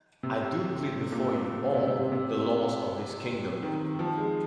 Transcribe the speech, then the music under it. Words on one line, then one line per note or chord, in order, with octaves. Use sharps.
I do plead before you all the laws of this kingdom.
C3
C3
A#2
C3
C3
C3
C3
C3
D#3
F3
G#3